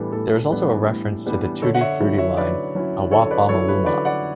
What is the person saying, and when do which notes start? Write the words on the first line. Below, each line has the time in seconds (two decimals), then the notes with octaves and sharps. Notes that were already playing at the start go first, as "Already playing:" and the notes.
There is also a reference to the "Tutti Frutti" line "A wop-bom a loo-mop".
Already playing: A2 E3 G3 B3 D4 A4 B4
0.12 A2 A4
0.50 E3 G3 B3 D4
0.87 A2
1.25 E3 G3 B3 D4
1.62 D3 A4 C#5
1.75 F#5
1.81 C#5 E5
1.99 F#3 C#4 E4
2.18 C#5 E5
2.37 D3 B4 D5
2.75 F#3 C#4 E4
3.11 D3 A4 C#5
3.31 B4 D5
3.49 F#3 C#4 E4 A4 C#5
3.68 B4
3.86 D3 B4 D5
4.05 D5 F#5